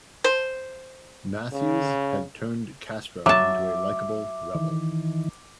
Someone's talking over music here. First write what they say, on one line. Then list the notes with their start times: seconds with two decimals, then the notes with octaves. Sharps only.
Matthews had turned Castro into a likable rebel.
0.24 C5
1.53 C#3
3.26 F#3 E5 A5 D6
4.55 D#3 E3